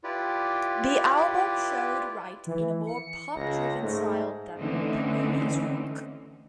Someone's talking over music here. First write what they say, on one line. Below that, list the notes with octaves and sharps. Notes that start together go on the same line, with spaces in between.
The album showed Wright in a more pop-driven styled than her previous work.
E4 F4 G4 B4 D5
E3
C#7
C#2 A#6
G#2 A3
D3 E3 A3 C4 C#4 D#4